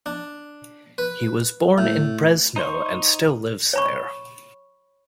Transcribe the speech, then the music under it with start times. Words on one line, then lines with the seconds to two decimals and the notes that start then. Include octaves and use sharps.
He was born in Brezno and still lives there.
0.06 D4
0.98 B4
1.78 A2
2.56 D#4 C5 C6 C#6
3.73 C#5 B5 C#6